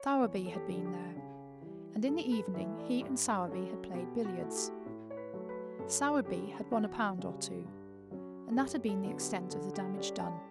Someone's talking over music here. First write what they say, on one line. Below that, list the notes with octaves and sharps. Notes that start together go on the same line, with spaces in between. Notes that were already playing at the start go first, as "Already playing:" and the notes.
Sowerby had been there, and in the evening he and Sowerby had played billiards. Sowerby had won a pound or two, and that had been the extent of the damage done.
Already playing: C#5
E2 C#5
A4
G4
D3 G3 D4
A4
G4
C#3
E3 G3
G2 A4
B4
E3 A3 E5
D5
G2 G4
F#3 C#4 A4
B2 G4
F#4
A3 E4
A4
G4
A2
C#5
B4
F#3 A3
B4
F#2 A4
D3 G3 C#4 G4
E2 F#4
C#3 G3
G2
F#3 C#4
A4
F#2 G4
A4
D3 F#3 B3
G4
D3 A4
G4
G3 C#4 G4 D5
A5